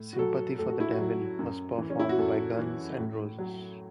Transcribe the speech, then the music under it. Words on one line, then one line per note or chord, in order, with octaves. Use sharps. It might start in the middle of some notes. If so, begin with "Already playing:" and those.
"Sympathy for the Devil" was performed by Guns N' Roses.
Already playing: A2
F#4
F#3 A4
A2 A4
F#4
E4
F#4
F#3
F#2
E3
C#4
E4
F#4
F#2 A4
E3
A2
F#3